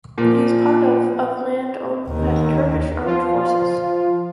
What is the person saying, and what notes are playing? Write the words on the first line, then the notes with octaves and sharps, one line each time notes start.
It is part of of land owned by the Turkish Armed Forces.
A#2 F3
D#2 D#3
F3 F4